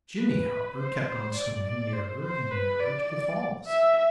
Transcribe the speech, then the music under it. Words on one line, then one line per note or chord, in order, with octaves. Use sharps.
Jimmie, however, kept on swimming nearer and nearer to the falls.
B4
C5
C5
D5
D5
C5
C5
B4
D5
E5